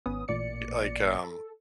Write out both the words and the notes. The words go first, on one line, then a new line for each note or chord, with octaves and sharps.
like, um,
G#1 B3 C#4 D#6
A1 A#2 D5 C#7
A4